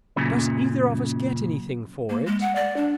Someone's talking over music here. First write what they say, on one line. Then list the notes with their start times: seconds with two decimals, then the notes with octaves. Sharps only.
"Does either of us get anything for it?"
0.16 F#2 A#2 C#3
2.10 A#3
2.26 G#3
2.41 F#5
2.55 D5
2.77 D4